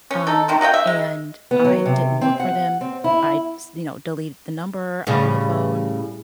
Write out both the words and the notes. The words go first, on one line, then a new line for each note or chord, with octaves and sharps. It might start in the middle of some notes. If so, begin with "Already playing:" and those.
um, and I didn't look for them, I s you know, deleted the number out my phone;
C#4
D#4 A4
C3 D#3 E3
F#4 D#5 F5 G5
E5
G#3
B3
F#3
C3
C4
F#5
C4
E4
A2 C#3 G3